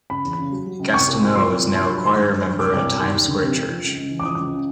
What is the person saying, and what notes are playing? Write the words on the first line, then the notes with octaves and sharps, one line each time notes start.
Gastineau is now a choir member at Times Square Church.
C#3 B5
E2
C#3
F#3
F#3
C#2
C2 C#6
C2
A#2
F3 C6
C2
F3
G2 C6
F#3 B5
D#3 C6
G2
G2
G2
C2 D6
C2
B2
D#2
D#2
D3
C3
F2
F3
C#2
C#2
E3
D6
F3 D#6
C#2
C#3